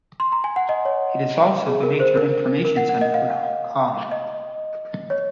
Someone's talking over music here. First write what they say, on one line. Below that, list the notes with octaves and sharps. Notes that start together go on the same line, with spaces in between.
It is also the major information centre for Hong Kong.
C6
A#5
G#5
F#5
D#5
C#5
G#4
A#4
C5
A#4
A#4
F#5
F#5
D#5
F5
D#5
C#5